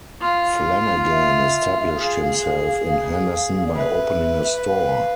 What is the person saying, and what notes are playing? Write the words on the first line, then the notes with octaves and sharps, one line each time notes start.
Flanagan established himself in Henderson by opening a store.
F4 F5
E5
G#4 F5
F5
F5
F5
F5
F5
F5
F5
D5
B4 E5
F5